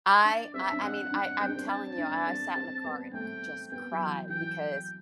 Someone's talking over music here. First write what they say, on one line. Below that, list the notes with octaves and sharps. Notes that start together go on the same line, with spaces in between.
I I I mean, I I'm telling you, I I sat in the car and cr just cried because
D4 D5
C4 E5
D4
C4 F#5
D4
C4 G5
D4
C4
A5
D4
C4
C4
B3
A3 G5
B3 G5
F#3
E3
E3 G5